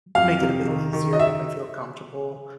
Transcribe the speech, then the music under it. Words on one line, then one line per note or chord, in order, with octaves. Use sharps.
make it a bit easier, make them feel comfortable.
F2 F5
C3
D#3
D#3
D#5
E5